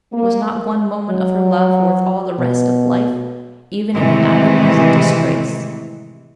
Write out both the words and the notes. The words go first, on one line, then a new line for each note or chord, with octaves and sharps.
Was not one moment of her love worth all the rest of life, even in the agonies of disgrace?
A#3
F#3
B2
A2 C3 D#3 E3 G#3